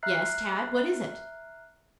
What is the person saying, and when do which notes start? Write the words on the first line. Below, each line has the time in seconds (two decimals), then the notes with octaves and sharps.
"Yes, Tad; what is it?"
0.03 E5 A#5 F6 F#6 C7